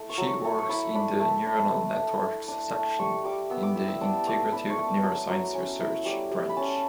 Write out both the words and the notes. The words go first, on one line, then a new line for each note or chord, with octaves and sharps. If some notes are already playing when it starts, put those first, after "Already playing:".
She works in the neuronal networks section in the integrative neuroscience research branch.
Already playing: A3 E4 A4
C#6
F#3
C#6
A3
C#6
E4 B5
D4 B5
A3
D4
A3
D4
A3
D4
A3
G3 C#6
G3 D6
B3 E6
D6
E4 E6
E6
D4 D6
A3 D6
D4 B5
C#6
A3
D6
F#3
F#3
C#4
E4
G3 D6
G3
B5
C#4 A5